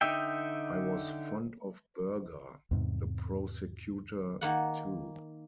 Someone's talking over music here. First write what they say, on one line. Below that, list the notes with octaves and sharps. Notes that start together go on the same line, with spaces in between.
I was fond of Burger, the prosecutor, too.
D3 D#4 D#5 E5 G5
E2 G#2 C3
D#3 A#3 F#5